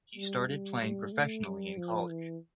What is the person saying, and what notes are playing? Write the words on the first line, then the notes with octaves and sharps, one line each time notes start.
He started playing professionally in college.
G3
G3
G3
A3
G3
F3
E3